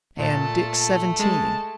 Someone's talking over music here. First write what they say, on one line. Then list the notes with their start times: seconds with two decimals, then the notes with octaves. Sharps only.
And--Dick's seventeen!
0.19 A#2 A3 A5
1.19 G#3 G#4 A5